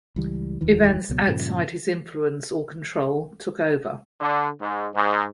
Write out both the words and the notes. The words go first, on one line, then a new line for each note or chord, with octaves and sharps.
Events outside his influence or control took over.
C#2 E3 G3
F1 D#2 D#3 E3
C#2 B2 F#3
G2 A#2 C#3 F3
D3
G#2
G#2